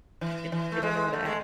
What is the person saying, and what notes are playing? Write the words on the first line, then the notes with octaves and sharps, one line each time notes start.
eh, they don't know how to act.
E3
E3
A3
G#3
A3
G#3